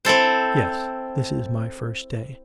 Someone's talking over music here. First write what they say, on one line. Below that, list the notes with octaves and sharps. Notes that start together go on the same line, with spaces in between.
'Yes, this is my first day.'
C4 E4 A4 C5